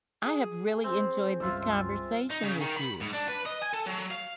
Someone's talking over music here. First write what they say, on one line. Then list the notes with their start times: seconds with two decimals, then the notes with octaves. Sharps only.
I have really enjoyed this conversation with you.
0.22 G#4
0.84 C4
1.40 C#2 G2 F4 E5
2.31 D#4
2.43 C#3
2.61 D#3
2.77 B5
3.00 G#2
3.13 D4
3.28 B4
3.45 D#5
3.62 G#5
3.73 A4
3.86 F#3
4.11 F5